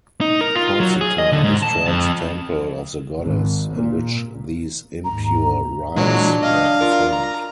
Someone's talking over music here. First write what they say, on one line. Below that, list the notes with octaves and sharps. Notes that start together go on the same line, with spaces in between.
Constantine destroyed the temple of the goddess in which these impure rites were performed.
D#4
A#4
F4
F#3
G#4
D#5
D3
G#2
A5
F2
G#1
A#2
D#2 G#2 A#5
A#2 E3 F#3 G#3 D4
D#5 F5
F4 A#4
A#5